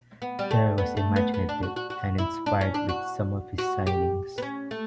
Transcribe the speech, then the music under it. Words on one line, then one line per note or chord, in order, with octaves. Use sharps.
Kerr was imaginative and inspired with some of his signings.
B3
G3
A3
B3
A3
B3
B3
D4
F#4
F#4
F#4
E4
D4
C#4
D4
F#4
F#4
G4
B3
C#4
A3